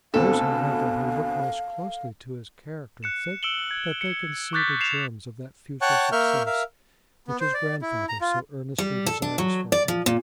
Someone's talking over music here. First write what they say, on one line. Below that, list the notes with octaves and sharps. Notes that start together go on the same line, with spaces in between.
Those, however, who look most closely to his character think that they can see the germs of that future success which his grandfather so earnestly desires for him.
D2 B2 C4 A4 F5
F#6 C#7 E7
E6 C#7 D7 E7 F#7 G7
G#6
C#7
C#6 D6 F#6 G6 A6 B6
A6 C7 E7 F7
C#5 F#5 G5 A5 C#6 F#6
A#3 A#4 E5 C#6 F6 G6
A#4 E5 F5
B3
C5
D5
E4
A#5
F4
G3
A4
D4
F#3
D5
F3
A#2